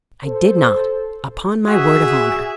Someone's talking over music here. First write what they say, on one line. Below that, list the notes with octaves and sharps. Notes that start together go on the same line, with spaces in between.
"I did not; upon my word of honour."
A4 C5
F#4 G#4 E5